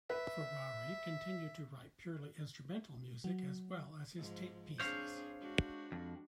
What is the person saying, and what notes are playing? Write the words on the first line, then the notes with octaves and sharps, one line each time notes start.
Ferrari continued to write purely instrumental music as well as his tape pieces.
B4 E5
F#3
G#2 F3
C4 D4 G#4 C5 C#5 F5
G#3 D4 F#4
F2